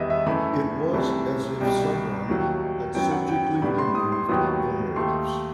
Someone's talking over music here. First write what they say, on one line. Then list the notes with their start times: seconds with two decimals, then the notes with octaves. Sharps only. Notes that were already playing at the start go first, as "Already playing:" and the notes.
It was as if someone had surgically removed the nerves.
Already playing: E2 D#3 G3 B3 B4 D#5 E5
0.10 E5
0.27 F#2 E3 A3 B5
0.93 C2 C3 E3 A3
1.60 C2 B2 G3 G5
2.28 D#2 D#3 F#3
2.95 F#2 F#3 B3 G5
3.11 F#5
3.29 G5
3.62 A2 G3 B3 B5
3.78 C6
3.95 D#6
4.12 C6
4.29 D#2 D#3 F#3 B3 D#6
4.96 D#2 D#3 A3 C6